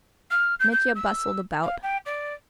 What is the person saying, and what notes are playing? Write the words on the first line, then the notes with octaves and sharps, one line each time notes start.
Mitya bustled about.
F6
G6
G6
E6
F5
G5
D5